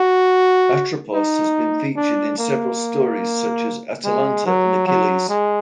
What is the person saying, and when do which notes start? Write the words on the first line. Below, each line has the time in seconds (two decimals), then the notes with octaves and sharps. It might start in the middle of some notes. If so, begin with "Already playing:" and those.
Atropos has been featured in several stories such as Atalanta and Achilles.
Already playing: F#4
1.14 D#4
1.97 D4
2.39 A#3
4.04 G#3
4.46 F#3
4.87 F#3
5.29 G#3